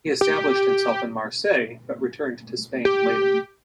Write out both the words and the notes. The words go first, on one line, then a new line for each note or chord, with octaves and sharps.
He established himself in Marseille, but returned to Spain later.
G4
G4